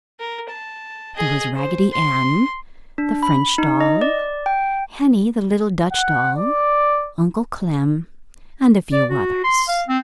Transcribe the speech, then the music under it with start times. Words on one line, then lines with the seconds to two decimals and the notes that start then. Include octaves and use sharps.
There was Raggedy Ann, the French doll, Henny, the little Dutch doll, Uncle Clem, and a few others.
0.20 A#4
0.50 A5
1.17 G#4 D#5
1.56 C5
1.93 C6
2.98 D4
3.23 B5
3.58 D#4
3.80 D#5
4.01 D5
4.46 G5
5.92 F#5
6.36 D5
8.93 D5
9.10 F#4
9.44 C6
9.68 F5
9.88 C4